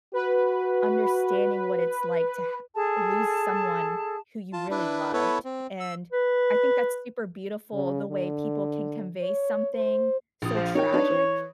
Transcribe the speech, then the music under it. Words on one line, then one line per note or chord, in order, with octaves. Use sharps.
understanding what it's like to ha lose someone who you really loved, and I think that's super beautiful the way people can convey something so tragic
F#4 B4
G#4 A4 A5
F4 A5
D4 E4 B4
B3 E4 A4 B4 C#5
C4
E6
B4
C#3
D3
C#5
C5
A#1 D#6
F3
D#4 A#4 C#5 G5
D4 D#4 B4
E3